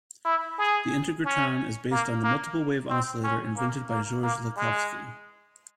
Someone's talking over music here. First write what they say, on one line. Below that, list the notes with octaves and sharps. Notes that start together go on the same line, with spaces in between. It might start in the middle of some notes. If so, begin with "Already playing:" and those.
The Integratron is based on the Multiple Wave Oscillator invented by Georges Lakhovsky.
E4
G#4
C#4
A#3
A#3
C4
C#4
A#3
A#3
A#3
G#3